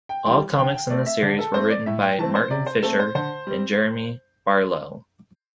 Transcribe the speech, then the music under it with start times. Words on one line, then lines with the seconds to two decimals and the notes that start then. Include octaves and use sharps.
All comics in this series were written by Martin Fisher and Jeremy Barlow.
0.09 G5
0.26 E3 G3 G5
0.58 D3 G5
0.74 G5
0.90 A3 C4 D5
1.06 E5
1.22 D3 D5
1.39 A4
1.54 A3 C4 C5
1.70 D5
1.86 A2 E5
2.02 G5
2.19 E3 A3 C4 A5
2.35 C5
2.50 C3 D5
2.66 C5
2.83 A3 C4 A4
2.99 C5
3.15 D3 C5
3.47 G3 C4